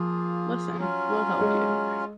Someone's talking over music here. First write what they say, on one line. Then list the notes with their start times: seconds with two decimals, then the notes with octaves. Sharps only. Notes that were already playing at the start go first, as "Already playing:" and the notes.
Listen, we’ll help you.
Already playing: F3 A#3 F4 G#4
0.77 F#3 C#4 F4
1.41 G#3